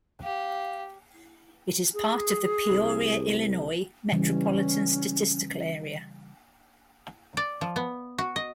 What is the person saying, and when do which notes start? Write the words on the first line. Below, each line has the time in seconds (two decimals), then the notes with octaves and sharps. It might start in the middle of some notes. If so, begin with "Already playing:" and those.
It is part of the Peoria, Illinois Metropolitan Statistical Area.
0.23 G4 F5
1.94 G#4
2.70 C2
4.12 C#3 E3 G3 C#4
7.37 D5
7.61 F3
7.76 B3
8.18 F#4
8.36 D#5